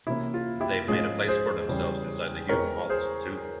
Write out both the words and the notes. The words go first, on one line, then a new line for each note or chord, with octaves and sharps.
They’ve made a place for themselves inside the human heart, too.
C3 E3 A#3 C#4 E4
F4
E4 G4
G#2 F3 G#3 C#4 F4 G#4
G#4 C5
E2 C#3 G3 C#4
E2 E3 G#3 C4 A#4 C#5
G#4 C5